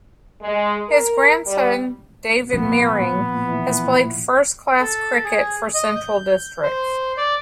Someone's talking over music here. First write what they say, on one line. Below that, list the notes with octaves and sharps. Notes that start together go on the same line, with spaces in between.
His grandson, David Meiring, has played first-class cricket for Central Districts.
G#3
A#4
G3
A#2 F3 B3
E3
A4
G#4
D#5
G6
C5
D5